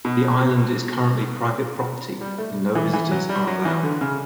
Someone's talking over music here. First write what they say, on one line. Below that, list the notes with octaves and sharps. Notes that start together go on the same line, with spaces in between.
The island is currently private property and no visitors are allowed.
B2
G3
A3
E3
E3
F#3
G3
F#3
E3
D3
C#3